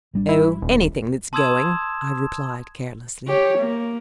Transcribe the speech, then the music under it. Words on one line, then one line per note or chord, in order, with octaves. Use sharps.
"Oh, anything that's going," I replied carelessly.
G#1 G3 D4
E4
D#1
A5 C6 D#6 E6 G#6 E7
G4 C#5
A#3